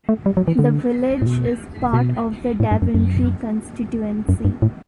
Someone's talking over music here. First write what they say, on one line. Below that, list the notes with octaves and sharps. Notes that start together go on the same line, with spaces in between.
The village is part of the Daventry constituency.
A3
G3
F#3
E3
D3
A2
B2
B2
A2
G2
F#2
F#2
F#2
G2
A2